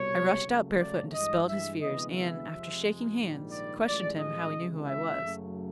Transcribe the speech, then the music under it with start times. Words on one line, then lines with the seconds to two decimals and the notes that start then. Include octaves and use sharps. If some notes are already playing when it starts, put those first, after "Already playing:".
I rushed out barefoot and dispelled his fears, and, after shaking hands, questioned him how he knew who I was.
Already playing: C2 B2 G3 C#5
0.46 C#2 C#3 F#3 A3
0.79 D5
1.13 G2 E3 G#3 D#5
1.48 E5
1.81 D2 C3 E3 G#3 B3 D#5
2.16 E5
2.49 F2 C3 F3 G#3
3.18 A#1 G#2 D#3 G3
3.52 D5
3.86 A1 A2 F3 G#3 D5
4.20 D#5
4.53 C#2 C3 E3 G#3
4.88 E5
5.21 F#1 F#2 C#3 F#3 A3